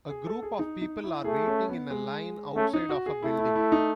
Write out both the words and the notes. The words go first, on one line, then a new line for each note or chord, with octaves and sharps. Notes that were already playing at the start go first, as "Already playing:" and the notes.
A group of people are waiting in a line outside of a building.
G#4
A4
G#4
D#4
D#4
E4
A3 G#4
C#4
B3
G#3
A3 C#4
D#4
F#4
G#4
A3 E4
E4
E4
D#4